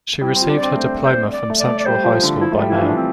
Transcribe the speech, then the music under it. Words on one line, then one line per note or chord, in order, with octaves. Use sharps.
She received her diploma from Central High School by mail.
G3 E4
C4 F4
D4
D5
C4
A3 C5
C5
D5
A3
D5
A3
D5
G3 C5
F3
D3
F3 E4
A3
F4
G3
E3 E4
F3
D4
C4